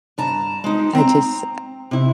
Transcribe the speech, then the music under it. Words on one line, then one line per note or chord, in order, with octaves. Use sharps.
I just
G2 A5 A#5
G#3 D#4
C4 A#5
C3 E4